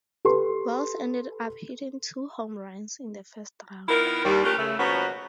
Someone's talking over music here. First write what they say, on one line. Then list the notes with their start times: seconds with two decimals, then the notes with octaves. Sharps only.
Wells ended up hitting two home runs in the first round.
0.25 G4 A4 B4 C6
3.89 D#3 B3 E4 F4 A#4
4.25 D#2 G3
4.44 F#3 A3 C#4 F4 G4 A#4
4.58 C#3 A3
4.79 B2 F3 A#3 B3 C#4 F#4